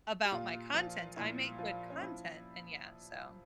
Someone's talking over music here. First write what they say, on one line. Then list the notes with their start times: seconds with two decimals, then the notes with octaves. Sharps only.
about my content, I make good content, and yeah, so
0.25 G4
0.32 A#2 F4
0.74 F3 F4
1.17 A#2 E4
1.58 F3 F4
1.90 C#4
2.01 F3 E4